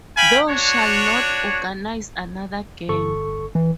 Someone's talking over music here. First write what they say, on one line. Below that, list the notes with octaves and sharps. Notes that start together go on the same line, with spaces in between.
Thou shalt not organize another gang.
F5 G5 G#5 B5
D4 F#4 C#5
G1 A4 C#6
E3